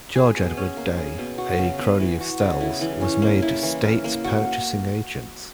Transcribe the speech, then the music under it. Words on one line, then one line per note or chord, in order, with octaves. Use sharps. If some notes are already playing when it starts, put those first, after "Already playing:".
George Edward Day, a crony of Stelle's, was made state purchasing agent.
G#4
B2
C#4
A#3
G#4
B2
F#4
C#3
B3
E3
F#4
C#3
E4
E3
C#4
A#3
E4
E3
A#4
A#3
F#4